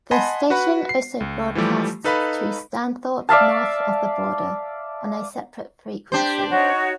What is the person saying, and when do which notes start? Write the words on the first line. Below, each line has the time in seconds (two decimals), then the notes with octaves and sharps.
The station also broadcasts to Stanthorpe north of the border, on a separate frequency.
0.11 D#5 F#5 G#5 A5 B5 C6
0.50 F#4 B4 F#5 B5
0.89 C7
1.20 C#2
1.55 E3 F3 G3 A3 G4
2.04 D#4 A4 B4 D#5 F5 B5
3.29 D5 E5 F5 A5
6.12 D4 G4 C5
6.50 D#4 F#4 C#5